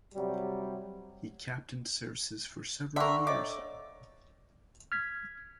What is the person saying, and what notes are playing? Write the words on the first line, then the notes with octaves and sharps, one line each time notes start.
He captained Services for several years.
C3 F#3 G3
D3 A#4 E5 G5 C#6
C#5 D#5 E5 D6
F6 G#6 B6